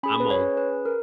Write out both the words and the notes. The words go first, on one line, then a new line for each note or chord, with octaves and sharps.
I'm old.
C#4 G#4 B5
B4
C#5
B4
A#4